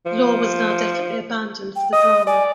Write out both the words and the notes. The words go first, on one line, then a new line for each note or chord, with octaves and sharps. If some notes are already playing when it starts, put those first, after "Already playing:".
The law was now definitely abandoned for the drama.
F3
G5
D#5 D#6
D5 G#5